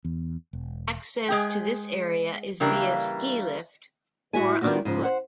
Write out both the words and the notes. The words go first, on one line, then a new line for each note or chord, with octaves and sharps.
Access to this area is via ski lift or on foot.
E2
E1
G#3 G#4 G5
C#3 E3 G3 A#3 D4
A2 F#4 E5 G#5
D#3 B3 D4 F4 F#4
G#2 C#3 F3
C5 F#5